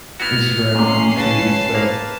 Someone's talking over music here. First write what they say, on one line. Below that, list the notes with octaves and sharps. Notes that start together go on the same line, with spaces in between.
Instagram and on YouTube and stuff.
B3 E4 F#4 F6
G#2 C3 C#4 C7
C#2 B4 A5
A#3 F5